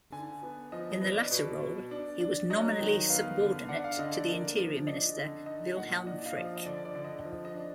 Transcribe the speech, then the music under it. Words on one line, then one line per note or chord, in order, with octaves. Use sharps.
In the latter role, he was nominally subordinate to the Interior Minister, Wilhelm Frick.
D3 G#5
B3
F3 D#5
D#5
B3
D5
B2
B2
D4
D4
F#3 D#5
D#3
B3 F5
D3
D4 F#5
F5
D3 D#5
D5
A#3
F3
D4 D#5
D3
D#4 D#5
A#2 F#5
D4 D#5
F5
F3
D#5
D#5
D3 D5
D5
D3
D#5
F3
D#5
D4